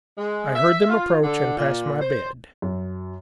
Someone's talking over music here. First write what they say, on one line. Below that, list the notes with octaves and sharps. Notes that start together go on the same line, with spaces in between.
I heard them approach and pass my bed.
G#3
E5
F4
D3
A#2
C5
F#2